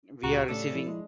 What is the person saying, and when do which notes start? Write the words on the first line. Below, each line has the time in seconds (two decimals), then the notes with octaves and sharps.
We are receiving.
0.23 C#2 A#2 F#4 G4 A#5
0.48 A2 C#3 C#4 D4 G4 A4
0.75 F3 E4
0.87 G#3